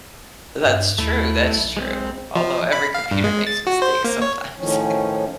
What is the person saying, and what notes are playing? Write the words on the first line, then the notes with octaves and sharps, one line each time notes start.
That's true, that's true. Although every computer makes mistakes sometimes.
G2
D#2 A3 E4
B1
G#3 C4
F3
B5
F5
G2
G#3
A6
F#4
C5
A#3
C#5
A2 D#3 F3 C#4